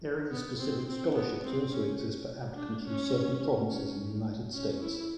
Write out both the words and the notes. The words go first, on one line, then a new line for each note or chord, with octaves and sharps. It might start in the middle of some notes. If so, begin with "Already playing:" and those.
Area-specific scholarships also exist for applicants from certain provinces and the United States.
B3
C4
C4
B3
C4
C#4
D4
C#4
C#4
C#4
E4